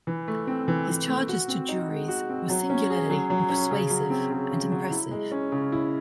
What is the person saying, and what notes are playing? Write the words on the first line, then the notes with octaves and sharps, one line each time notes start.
His charges to juries were singularly persuasive and impressive.
E3
A3
C4
E3
E3
A3
F#4
C4
D#4
G#3
F#4
C4
F#3
C#4
G#4
F#3
F#3
C#4
C#3
F#3
C4
C#3
C#3
F#3
E4
G#3
C#4
C#3
E4